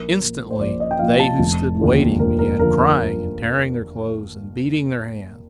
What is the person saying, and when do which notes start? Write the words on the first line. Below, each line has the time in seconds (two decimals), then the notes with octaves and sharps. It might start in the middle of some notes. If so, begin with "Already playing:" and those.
Instantly they who stood waiting began crying and tearing their clothes and beating their hands.
Already playing: A#1 A#4
0.19 A#2 F3
0.51 C5
0.60 A#1 D5
0.80 D#5
0.91 G5
0.99 A#2 F3 F5
1.20 A5
1.39 F1
1.79 D#2 D3 F3
2.19 F1 A#4
2.39 A#4
2.59 D3 F3 A#4